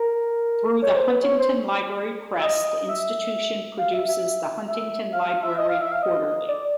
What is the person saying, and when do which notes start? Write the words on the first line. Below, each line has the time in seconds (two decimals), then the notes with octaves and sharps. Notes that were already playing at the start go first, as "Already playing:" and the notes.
Through the Huntington Library Press, the institution produces the Huntington Library Quarterly.
Already playing: A#4
0.82 C#5
0.96 C5
1.08 B4
1.23 C#5
1.39 C5
2.39 E5
2.44 D#5
2.88 E5
3.78 F5
3.93 E5
4.08 E5
4.68 E5
5.13 F5
5.27 F5
5.43 E5
5.58 D#5
5.69 F5
5.81 E5
5.92 F5
6.03 D#5
6.48 D5